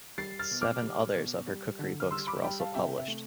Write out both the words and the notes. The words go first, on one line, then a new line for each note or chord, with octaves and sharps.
Seven others of her cookery books were also published.
G3 A6 C7
F6 A6
B2
D6 F6
G3
B2
G3
D3
F6
G3 C6 E6
B5 D6
G3 G5 B5
F5 A5
C3 E5 G5
E5
A3